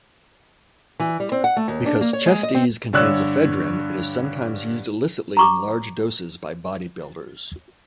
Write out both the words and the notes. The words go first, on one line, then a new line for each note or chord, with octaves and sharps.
Because ChestEze contains ephedrine, it is sometimes used illicitly in large doses by bodybuilders.
E3
G3
C4
F#5
A3
D#2
D4
A#3
C#5
G#3
D#5
C4
G2 D3 C#5 D5 E6 F#6
A#5 C#6 D6